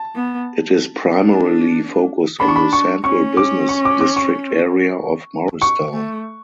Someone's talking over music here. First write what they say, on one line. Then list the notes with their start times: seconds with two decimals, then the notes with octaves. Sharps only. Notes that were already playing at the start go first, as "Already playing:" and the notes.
It is primarily focused on the central business district area of Morristown.
Already playing: A5
0.15 B3
1.11 D4
2.40 D4 B5
2.48 C#6
2.56 B5
2.73 C#6
3.04 C#4 C#6
3.37 D6
3.69 C#6
3.85 D6
4.01 D6
4.16 C#6
5.62 C#6
5.94 A3